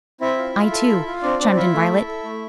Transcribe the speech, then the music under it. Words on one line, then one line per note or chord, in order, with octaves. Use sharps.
"I too," chimed in Violet.
C4 E4 E5
F4
F4
A4
F4
F4
C4 D4 D5
C4 D4 D5
D5
E4 F4 E5
A3
A4
A4
A3